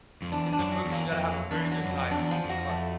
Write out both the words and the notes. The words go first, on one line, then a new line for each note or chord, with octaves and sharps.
in the cooking, you gotta have a very good knife to cut.
F2
E2 D4
D4
F#2
F#3
E2
A#3
F2 A#3
F#3
E2 D4
F#3
F#2
F2 F#4
F2 D4
E2
F3
F2
F#4
A3